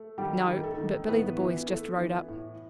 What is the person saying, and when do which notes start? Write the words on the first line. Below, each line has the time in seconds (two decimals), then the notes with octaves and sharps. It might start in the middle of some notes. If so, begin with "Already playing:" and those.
'No; but Billy the Boy's just rode up.
Already playing: A3
0.18 D#3 G3 G4
0.48 D#3
0.63 A3 A4
0.78 D#3
1.08 A2 B3 B4
1.38 E3
1.68 A3
1.98 E3
2.29 A2